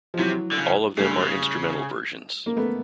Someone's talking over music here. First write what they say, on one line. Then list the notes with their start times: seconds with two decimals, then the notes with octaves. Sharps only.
All of them are instrumental versions.
0.14 F3
0.19 C3 E3 F#3
0.52 D3
0.58 C#3
0.98 C#3 G3 A3
1.10 D3
1.21 C#3
2.46 A#3
2.57 A3 B3